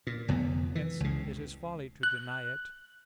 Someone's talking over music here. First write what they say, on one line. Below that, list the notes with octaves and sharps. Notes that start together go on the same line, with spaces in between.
Hence it is folly to deny it.
A#2
F1 F2 D3 B3
E3
C#2 C#3
F#6